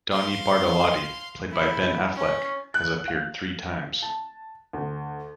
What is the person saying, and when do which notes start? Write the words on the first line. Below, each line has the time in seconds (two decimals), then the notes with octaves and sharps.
Donnie Bartalotti, played by Ben Affleck, has appeared three times.
0.12 F5 C6
1.51 E4
2.15 C#4
2.74 F#6
3.08 F5
4.02 A5
4.73 D2